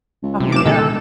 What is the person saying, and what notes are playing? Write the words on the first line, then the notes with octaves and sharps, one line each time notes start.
Oh, yeah.
C#2
C3
F#1 D6 E7
E1 A#2 D3 G#3 A4